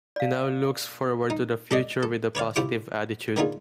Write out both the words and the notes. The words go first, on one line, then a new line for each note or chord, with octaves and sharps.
He now looks forward to the future with a positive attitude.
D5 F5
D#4
A4 D5 D#5
A4
B4 C#5 D5 F5
C3 E4 F4 C5 C#6 D6
A#3 B3 D4 D#4 F4 G#4